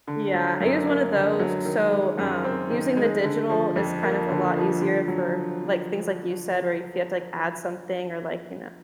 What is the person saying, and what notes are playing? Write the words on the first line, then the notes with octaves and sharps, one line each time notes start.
Yeah, I use one of those, so, um, using the digital is kind of a lot easier for, like, things like you said, where if you have to, like, add something or, like, you know,
D3
F#3
F#2
A#3
D3
F#3
D#3
G#3
F#2
C4
D#3
G#3
D3
F3
F2
A#3
D3
F3
D3
F#3